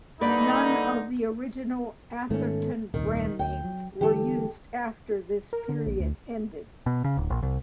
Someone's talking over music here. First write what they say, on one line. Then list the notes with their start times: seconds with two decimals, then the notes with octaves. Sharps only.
None of the original Atherton brand names were used after this period ended.
0.21 G2 D3 A#3 D#4 B4 D5 B5
2.30 G#2 D#3 A3 B3 C#4
2.94 D#1 C2 D#3
3.39 D2 G5
3.64 F#3
4.01 D3 E3 G3 G4 A4
5.53 A#4
5.69 D3
5.87 A#1
6.00 D2
6.86 B2
7.04 C#3
7.17 D1
7.30 A#1
7.43 C2